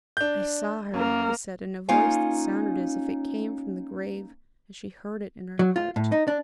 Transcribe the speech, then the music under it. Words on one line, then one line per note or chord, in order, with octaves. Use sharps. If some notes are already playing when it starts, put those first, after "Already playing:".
"I saw her!" he said, in a voice that sounded as if it came from the grave, and she heard it in her heart.
D4 G6
F#2 A#3 A#4
A#3 C#4 D#4 F4 F5 G#5
F#3
F4
A2
D#4
D4